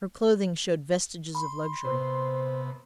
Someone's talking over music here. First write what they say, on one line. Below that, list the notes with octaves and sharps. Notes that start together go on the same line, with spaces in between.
Her clothing showed vestiges of luxury.
B5 C6
C3 B3 C5